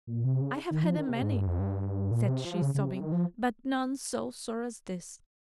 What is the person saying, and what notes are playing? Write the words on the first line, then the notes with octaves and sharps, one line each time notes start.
'I have had a many,' said she, sobbing, 'but none so sore as this.
A#2
C3
C#3
D#3
F3
D#3
C3
G#2
G2
F2
G2
A#2
C3
F3
C#3
C#3
C3
D#3
F3